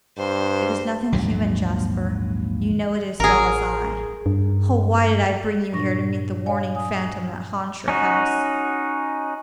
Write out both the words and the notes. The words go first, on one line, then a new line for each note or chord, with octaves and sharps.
"It was nothing human, Jasper; you know it as well as I. Oh, why did I bring you here to meet the warning phantom that haunts your house!"
G2 C5
A#1 D#2 G#2 F#3
A1 G#4 A#4
G2
G2 A#2 D4 C#6 A#6
C#5 D5 F5 G#5
F#3 G#5 D#6
C#4 D#4 F#4